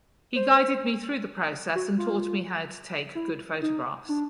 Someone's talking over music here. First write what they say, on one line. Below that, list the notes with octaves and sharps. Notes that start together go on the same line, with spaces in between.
He guided me through the process and taught me how to take good photographs.
C5
F#4
F4
E4
D#4
D4